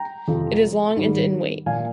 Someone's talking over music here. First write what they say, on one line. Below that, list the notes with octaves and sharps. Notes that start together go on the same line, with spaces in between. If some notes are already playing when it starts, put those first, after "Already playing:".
It is long and in weight.
Already playing: G5 A#5
F2 C3 F3
G#2 D#3 G3
A#2 F3 F5 G#5